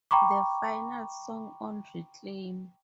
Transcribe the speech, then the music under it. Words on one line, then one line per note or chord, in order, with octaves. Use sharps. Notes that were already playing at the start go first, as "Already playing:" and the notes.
The final song on Reclaim!
G5 A#5 B5 C#6 D6